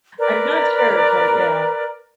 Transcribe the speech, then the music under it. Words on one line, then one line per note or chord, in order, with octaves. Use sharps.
I'm not sure, but yeah.
A#4 B4 D5